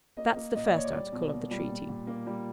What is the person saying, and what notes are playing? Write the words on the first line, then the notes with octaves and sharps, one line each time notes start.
That's the first article of the treaty.
A#3 D#5
A#3
A#2 D#5
D5
A#2 C#5
D5
G3
B2
A#3
G3
A#2
A#2
A#3
G3